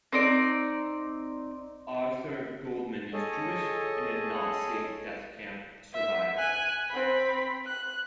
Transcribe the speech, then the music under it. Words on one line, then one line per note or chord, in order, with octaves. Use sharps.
Arthur Goldman is Jewish and a Nazi death camp survivor.
C4 D#4 D5
G#4 A4 C#5 D#5
E5
G#5 F#6
C4 B5
F#6